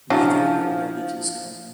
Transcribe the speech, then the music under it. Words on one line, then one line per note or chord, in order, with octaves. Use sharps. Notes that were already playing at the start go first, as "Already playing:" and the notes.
Neither had noted his coming.
F3 F#3 G#3 C#4 D4 E4 E5 F5